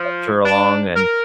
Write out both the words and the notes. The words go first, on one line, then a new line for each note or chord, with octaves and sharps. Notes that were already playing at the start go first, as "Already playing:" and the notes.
coach her along and
Already playing: F3
D4
A#4